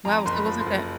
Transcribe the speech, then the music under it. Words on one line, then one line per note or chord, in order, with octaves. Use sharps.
Wow, so it was like a
F2 A#5
F#1 C6
B5
F3
C6
F#1